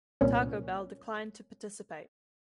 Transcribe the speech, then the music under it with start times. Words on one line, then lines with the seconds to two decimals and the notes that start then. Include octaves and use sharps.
Taco Bell declined to participate.
0.21 C2 A#2 C#4